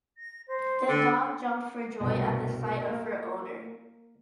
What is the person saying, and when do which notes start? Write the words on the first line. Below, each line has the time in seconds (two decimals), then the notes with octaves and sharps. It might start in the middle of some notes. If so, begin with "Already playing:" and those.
The dog jumped for joy at the sight of her owner.
0.18 A#6
0.48 C5
0.89 D3 A6
2.00 C2 G2 B2 A#4
2.90 A#3